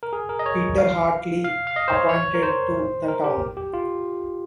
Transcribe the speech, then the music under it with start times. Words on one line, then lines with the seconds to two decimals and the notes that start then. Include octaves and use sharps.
Peter Hartley appointed to the town.
0.03 A#4
0.13 G#4
0.29 A#4
0.39 D#5
0.46 C#5
0.78 F5
1.44 F5
1.67 F5
1.76 D#5
1.88 C5
1.93 C#5
2.09 C#5
2.34 A#4
2.43 C5
3.08 A#4
3.24 G4
3.57 G4
3.73 F4